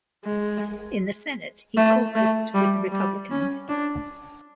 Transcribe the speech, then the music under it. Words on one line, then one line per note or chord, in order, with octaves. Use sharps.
In the Senate, he caucused with the Republicans.
G#3
A3
A3
G3
G3
C#4
D4